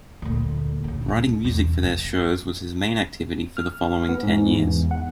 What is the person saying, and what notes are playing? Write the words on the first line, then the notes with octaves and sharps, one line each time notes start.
Writing music for their shows was his main activity for the following ten years.
D2 A#2
A#2 C#3
C#2
E2 C3
B3
F6
B3
G#2
E2
F#5